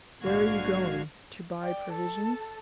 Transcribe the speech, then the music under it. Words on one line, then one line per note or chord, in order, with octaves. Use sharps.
"Where are you going--to buy provisions?"
A#1 G#2 D3 F#4 F5 G#6
D5 G5
A4 A5